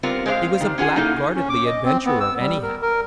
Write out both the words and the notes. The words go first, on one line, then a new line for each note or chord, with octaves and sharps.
He was a blackguardly adventurer, anyhow.
G3 B3 C4 F4 A#4
G#3 C4 C5 C#5 F5
D#3 G3
C#4 F4 G#4 B4 F#5 G#5
A#3 D#4 E4 A4
C#4
D6
D#5
C4
B3
E6
G3
A#4
A#4